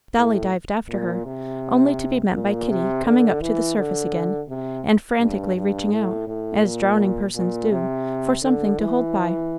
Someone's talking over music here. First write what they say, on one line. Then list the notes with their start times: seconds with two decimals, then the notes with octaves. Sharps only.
Dolly dived after her, only to be met by Kitty coming up to the surface again, and frantically reaching out, as drowning persons do, for something to hold by.
0.17 A2
0.89 A#2
1.26 C3
2.34 A#2
2.69 C3
3.05 D3
3.41 E3
3.77 D3
4.49 C3
5.20 G2
5.56 G2
5.91 A2
6.27 A2
6.63 A#2
7.35 A#2
7.71 C3
8.43 D3
8.79 E3